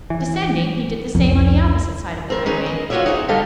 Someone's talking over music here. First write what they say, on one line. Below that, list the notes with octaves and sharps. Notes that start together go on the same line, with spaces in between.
Descending, he did the same on the opposite side of the highway.
E3
C2 F2
C4 A#4
C#4 D#4 G#4 B4
D#5
F4 F#4 B4 C#5 D5 E5
D#4 G#4 C5 C#5 D#5
D3 G3 G4 A4 D#5 F5